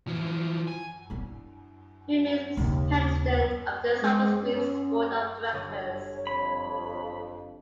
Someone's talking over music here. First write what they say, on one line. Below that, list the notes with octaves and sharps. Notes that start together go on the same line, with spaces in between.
He remains President of the Sauber Group's board of directors.
E3 F3
G#5
D4 E4
D#2 C#3
G#3
C#4
G1 C#5 D#5
F2 B5